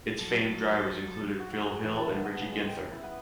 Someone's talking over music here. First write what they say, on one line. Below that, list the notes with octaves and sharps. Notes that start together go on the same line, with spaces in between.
Its famed drivers included Phil Hill and Richie Ginther.
F#3 A4
F#4
F#4
G#4
E3
A4
D3
B3
C#3
G#3
G5
E4
B3